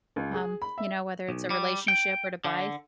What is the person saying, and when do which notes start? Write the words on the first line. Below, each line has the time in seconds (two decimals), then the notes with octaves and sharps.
Um, you know, whether it's a relationship or to buy
0.16 C#2
0.34 G#4
0.62 B5
0.78 E5
1.29 B1
1.50 G3
1.88 G5
2.45 D3